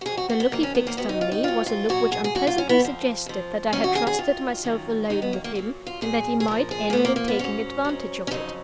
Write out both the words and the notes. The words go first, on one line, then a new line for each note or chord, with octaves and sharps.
The look he fixed on me was a look which unpleasantly suggested that I had trusted myself alone with him, and that he might end in taking advantage of it.
F#4
F2 D#3 F#3 G#4
F#4
F#4
B3
F2 D#3 F#3 A#3
C#4
B3
A#3
G#2 D#3 F#3 B3
D#4
F4
D#4
G#2 D#3 F#3 F4
F4
A#2 F#3 F#4
G#4
G#4
A#2 F#3 F#4
F4
C#4
B3
F2 F3
F2 F3
F#2 D#3 F#3 C#4
F#4
G#4
G#4
F#2 D#3 F#3 F4
F#2 D#3 F#3
F#2 D#3 F#3 D#4
B3
A#3
A#3
A#2 F#3 A#3
F4
A#2 F#3 G#4
G#4
A#2 F3 A#4
G#4
A#3
A#2 F3 B3
A#3
A#3
B3
G#2 F#3 C#4
G#2 F#3
C#4
F2 C#3 F#3 D#4